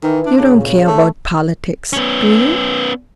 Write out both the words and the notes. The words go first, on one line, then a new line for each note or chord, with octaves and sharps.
"You don't care about politics, do you?"
D#3 E3
D4
C#3 D4
A#2
A3
B3 C#4